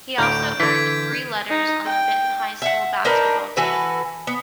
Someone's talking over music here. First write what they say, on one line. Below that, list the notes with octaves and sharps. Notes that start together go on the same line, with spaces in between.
He also earned three letters on the Benton High School basketball team.
D2 A2 A#5 G6 D7
D3 E3 G#6 B6
D#4
G5
E5 F#5
D4 D#4 A#4 B4
E3 F#4 A4 B4
B3